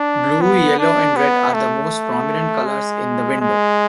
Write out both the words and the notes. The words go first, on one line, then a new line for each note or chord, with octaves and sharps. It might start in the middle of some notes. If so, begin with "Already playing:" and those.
Blue, yellow and red are the most prominent colours in the window.
Already playing: D4
B3
D4
B3
A3
G#3
G#3